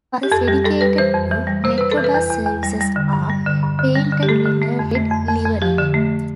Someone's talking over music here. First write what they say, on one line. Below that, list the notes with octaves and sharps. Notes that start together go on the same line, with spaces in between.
Buses dedicated to Metrobus services are painted in a red livery.
G4
F2 A4
G3 G4
G3 A4
G3 B4
E3 C5
F2
E3
G3
C3 C5
C3 B4
A4
E3
B4
E2
E2
E2
G3
G3
D3
G2
G3
D3
G2
D3
G3
D3
G4
A3 A4
D3
A3
F2
A3
F2
F2
F2
F3 G4
D3
A3